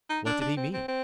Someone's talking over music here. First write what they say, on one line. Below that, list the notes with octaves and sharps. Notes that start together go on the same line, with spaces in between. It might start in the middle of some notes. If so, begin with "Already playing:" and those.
What did he mean?
D#4
D4
D4
C4
C4
C4